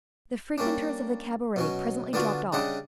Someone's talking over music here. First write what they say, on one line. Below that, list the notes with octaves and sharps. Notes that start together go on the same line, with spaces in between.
The frequenters of the cabaret presently dropped off.
G3 A#3 C#4 D4
B2 F#3 C#4
D3 B3 D4 F4 F#4
C#3 G3 D4 D#5 F#5